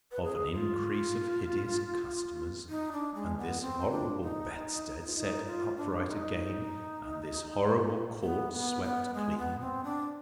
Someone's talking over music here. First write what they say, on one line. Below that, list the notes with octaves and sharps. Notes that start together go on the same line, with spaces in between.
Of an increase of hideous customers, and this horrible bedstead set upright again, and this horrible court swept clean?
B4
G#4
F4
D#4
D4
G#3
B3
C4
D4
D#4
D#4
D#4
F4
D#4
F4
D4
D#4
B3
B3
B3
G#3
B3
C4
D4